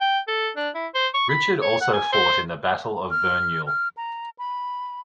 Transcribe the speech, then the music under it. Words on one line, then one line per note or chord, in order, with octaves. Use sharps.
Richard also fought in the Battle of Verneuil.
G5
A4
D4
E4
C5
C#6
B5
C#5
F#5
G#5
C5
F6
F6
A#5
B5